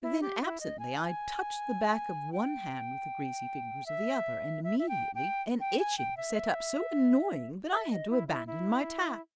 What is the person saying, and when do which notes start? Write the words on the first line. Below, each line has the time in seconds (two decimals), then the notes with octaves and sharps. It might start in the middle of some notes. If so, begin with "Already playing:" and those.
Then, absently, I touched the back of one hand with the greasy fingers of the other and immediately an itching set up so annoying that I had to abandon my task.
0.02 E4
0.21 G4
0.42 E4
0.60 D#5
0.79 G#5
2.33 G5
3.86 E5
4.64 E5
4.79 E5
4.89 G5
5.15 G5
5.60 G5
5.79 G#5
5.98 G5
6.17 E5
7.70 E5
7.91 D#5
8.10 E4
8.28 E4
8.47 E4